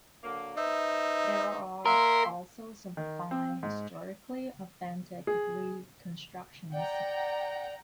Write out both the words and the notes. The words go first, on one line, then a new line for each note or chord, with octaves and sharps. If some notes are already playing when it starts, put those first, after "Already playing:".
There are also some fine, historically authentic reconstructions.
D3 F#3 A#3
D#4 B4 C5 E5
A#3 A#4 E5 C6
D#3
C4
G#2
G#4
D5 F#5 G5 A#5